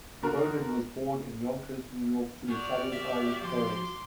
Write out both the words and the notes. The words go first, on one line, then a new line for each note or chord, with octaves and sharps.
Cronin was born in Yonkers, New York to Italian-Irish parents.
D3 F#4 A#4
F#4 D5 G#5 C#6 F6
F#4 G4 E5
F3 C6 D6